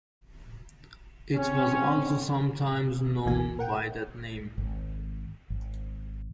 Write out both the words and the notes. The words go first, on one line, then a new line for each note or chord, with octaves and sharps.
It was also sometimes known by that name.
C4 C#4
G1 C#2 B2 E3 A#3 G#5
A#4 F#5 G5
G#1
G#1